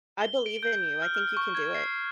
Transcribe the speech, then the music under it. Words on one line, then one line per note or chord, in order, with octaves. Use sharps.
I believe in you. I think you can do it.
G7
D7
G6
F6
F6
C#6
G#6
C7